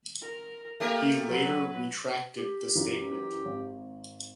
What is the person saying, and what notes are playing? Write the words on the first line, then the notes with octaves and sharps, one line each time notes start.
He later retracted the statement.
A#4
A3 A#3 G4 A#4
F#3 B4
G4
F#2 E3
G#1